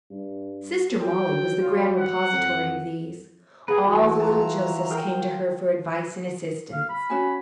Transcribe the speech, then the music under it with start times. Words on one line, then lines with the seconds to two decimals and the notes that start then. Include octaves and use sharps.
Sister Mollie was the grand repository of these; all the little Josephs came to her for advice and assistance.
0.10 G2
1.00 F#3 G5
1.61 F4
1.97 F#5
2.33 F2
3.68 G#4 B4 F#5 A#5
3.85 E3 F#4
4.20 F4 F#4 A5 A#5
4.90 A#4 F5 G5
6.73 F5
6.89 B5
7.10 C#4 F#4 G#5